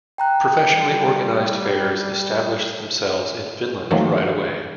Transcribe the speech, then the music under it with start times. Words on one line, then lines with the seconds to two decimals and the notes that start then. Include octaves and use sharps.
Professionally organised fairs established themselves in Finland right away.
0.18 G5 A#5 F#6
0.68 G3
3.91 F2 D#3 F#3 A3 A#3 C4